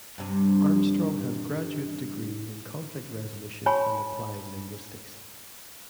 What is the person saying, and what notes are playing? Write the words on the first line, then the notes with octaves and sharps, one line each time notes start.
Armstrong has graduate degrees in Conflict Resolution and Applied Linguistics.
G2 C3
F#4 C#5 G#5 A5 B5 C#6